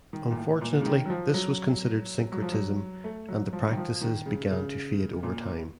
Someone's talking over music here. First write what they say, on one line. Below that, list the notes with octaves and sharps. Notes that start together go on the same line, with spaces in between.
Unfortunately this was considered syncretism and the practices began to fade over time.
D#3
A#2
A2
A#2
C#3
D#3
F#3
F3
F#3
F#3
F3
F#3
A3
F#3
F3
D#3
F3
D#3
C#3
C#3
A#2